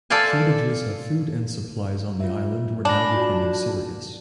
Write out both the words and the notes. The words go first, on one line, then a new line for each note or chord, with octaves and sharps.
Shortages of food and supplies on the island were now becoming serious.
A4 C5 D5 F5 G#5
F4 E5
D4 G#5 B5 A#6
F4 F#4 D5